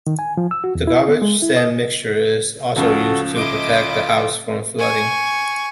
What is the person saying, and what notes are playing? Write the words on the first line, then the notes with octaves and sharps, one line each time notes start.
The garbage-sand mixture is also used to protect the house from flooding.
D#3
G#5
F3
E6
F#4
E2
E4
B3
G#3
E4
D#5
C#2 C#3 F3 F#4 A4
E4 D#5 C6 D6
F4
G#5 C#6